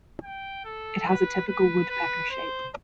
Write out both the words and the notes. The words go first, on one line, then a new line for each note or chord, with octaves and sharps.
It has a typical woodpecker shape.
G5
A4
B4
B4
B4
C5